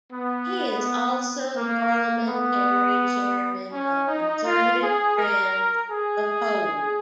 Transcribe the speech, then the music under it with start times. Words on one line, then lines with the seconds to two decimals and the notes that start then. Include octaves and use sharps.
He is also the Parliamentary Chairman of Conservative Friends of Poland.
0.11 B3
1.55 A#3
2.28 B3
3.72 C#4
4.08 D#4
4.44 F4
4.81 G#4
5.16 A#4
5.90 G#4